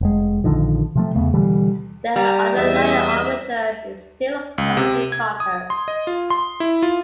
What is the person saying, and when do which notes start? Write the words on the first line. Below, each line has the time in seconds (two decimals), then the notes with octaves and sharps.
The underlying armature is steel covered in copper.
0.01 F1 G#3
0.44 A#1 D3 D#3 F3
0.96 C3 F3 A3
1.15 E2 C#3 A3 B3
1.34 B2 D3 E3 G3
2.16 G3 A#5
2.56 E2 D#5 E5
4.58 C#2
4.77 C3
5.12 G#6
5.40 D#6
5.70 C6
5.88 D#5
6.07 F4
6.30 C6
6.60 E4
6.83 F4